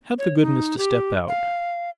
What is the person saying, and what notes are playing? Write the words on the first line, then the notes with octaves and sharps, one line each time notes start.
'Have the goodness to step out.'
C#5
D#4
G4
F5